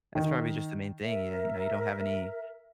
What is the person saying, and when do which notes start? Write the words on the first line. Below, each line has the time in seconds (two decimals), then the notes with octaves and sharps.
that's probably just the main thing, y you know, you don't have any,
0.15 D#3
1.01 A#4 E5